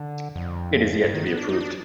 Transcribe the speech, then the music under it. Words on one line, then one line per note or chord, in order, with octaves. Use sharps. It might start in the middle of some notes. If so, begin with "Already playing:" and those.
It is yet to be approved.
Already playing: D3
F2
G2
D#3
B3
D4
D#4
D4